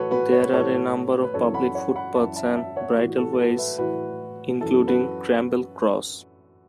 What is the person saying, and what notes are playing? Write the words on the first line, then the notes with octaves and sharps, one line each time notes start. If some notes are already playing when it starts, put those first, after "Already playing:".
There are a number of public footpaths and bridleways, including Cramble Cross.
Already playing: A2 E3 F#4 A4 B4 C#5
F#4 B4
C#5
B4
A2 E3 A4 C#5
B4
F#2 E3 A4 C#5
F#5 B5
C#5 F#5
F#5 B5
F#2 E3 E5 A5
E5 A5
E5 A5
C#5 F#5
A2 E3 F#4
F#4
A4
A4
F#4 B4
B4 E5
A2 E3 F#4 B4
F#2 E3 A4
F#4 B4